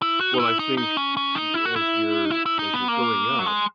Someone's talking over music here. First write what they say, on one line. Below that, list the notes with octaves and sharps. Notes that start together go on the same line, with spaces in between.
Well, I think y as you're as you're going up,
E4
F#4
D#4
E4
D#4
D#4
C#4
C#4
D#4
E4
F#4
E4
D#4
E4
E4
D#4
B3
A#3
F#3
G#3